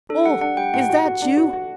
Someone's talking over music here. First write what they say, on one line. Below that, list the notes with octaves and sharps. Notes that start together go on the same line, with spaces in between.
'Oh! is that you?
D4 A4
G3 F#5
D4 F#5
G3 G5
A2 F#5
F#4
F#4
D4
F#4
F#4